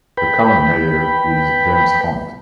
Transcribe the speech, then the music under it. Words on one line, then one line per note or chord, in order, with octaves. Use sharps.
The current mayor is James Hunt.
B4 G5 B5